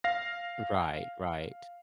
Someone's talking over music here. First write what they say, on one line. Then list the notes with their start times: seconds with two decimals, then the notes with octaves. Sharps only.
Right, right.
0.04 F5 A#6